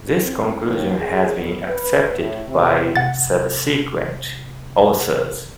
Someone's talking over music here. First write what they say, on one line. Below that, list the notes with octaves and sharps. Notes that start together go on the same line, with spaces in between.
This conclusion has been accepted by subsequent authors.
C4
D#2
G#4
B3
B4
A2
C3
C3 F#5 A6